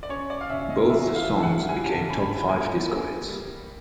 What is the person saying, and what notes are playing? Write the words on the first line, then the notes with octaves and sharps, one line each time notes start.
Both songs became top five disco hits.
D5
C#4 C#5
D5
F5
C#4 E5
D#5
E3 E5
E5
F5
E3
F#5
G3 G#5
A5
C#4 B5
B5
A#3 G#5
A#3
G3